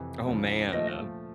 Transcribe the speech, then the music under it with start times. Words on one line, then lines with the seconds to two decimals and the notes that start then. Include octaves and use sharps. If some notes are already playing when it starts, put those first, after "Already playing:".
Oh, man, uh
Already playing: F2 C3 E3
0.26 D2 C#3 F3
0.73 A#2 F3 A3 D#5